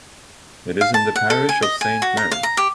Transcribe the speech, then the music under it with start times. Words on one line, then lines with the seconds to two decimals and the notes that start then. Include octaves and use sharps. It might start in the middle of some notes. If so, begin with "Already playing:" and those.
It is in the parish of Saint Mary.
0.81 F5
0.94 A5
1.16 F#5
1.30 A4
1.49 G#5
1.62 D#5
1.81 G#5
2.02 F#4
2.17 A#5
2.31 F5
2.43 A#5
2.57 G4